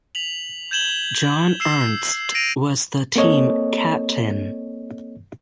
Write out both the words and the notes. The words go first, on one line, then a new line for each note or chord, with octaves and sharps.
John Ernst was the team captain.
B6 F7 F#7
G6 G#6 E7 F#7 G7
E6 C7 E7
A#6 D7 D#7 F7
A#3 C4 A4 C#5 D#5